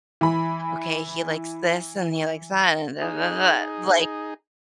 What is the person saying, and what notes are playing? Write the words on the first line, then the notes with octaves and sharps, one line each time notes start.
"Okay, he likes this, and he likes that, and da da da da da," like
E3 B5
D#4 G#4